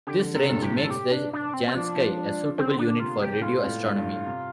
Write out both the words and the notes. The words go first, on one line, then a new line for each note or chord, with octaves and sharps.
This range makes the jansky a suitable unit for radio astronomy.
D3 G4
D3
C3 A4
G2 A4
A2 G4
A4
G4
D4
D4
C4
C4
F3 D4
F3
D3 C4
D4
C3 F4
G4
A2 F4
A2
G2
G2
C3